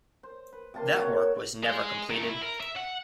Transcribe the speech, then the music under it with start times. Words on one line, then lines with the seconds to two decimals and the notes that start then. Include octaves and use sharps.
That work was never completed.
0.23 C5
0.53 B4
0.74 C3 A#3 A5 C6
0.99 F#4 A#4 C#5 G5
1.63 G#3
2.10 D#3 A3
2.29 E4
2.43 A#4
2.61 E5
2.76 F#5